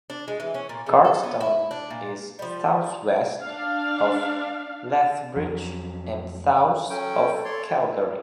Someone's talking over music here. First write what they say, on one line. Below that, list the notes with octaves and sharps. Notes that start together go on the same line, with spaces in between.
Cardston is southwest of Lethbridge and south of Calgary.
D4
G#3
E3
C#4
A#2
C#3
A4
B3
E4
D4
A#2
F3 G3
D4 F5
F2 F#3
F#3 C#4 A4 G5
C#5 D5 C6
D3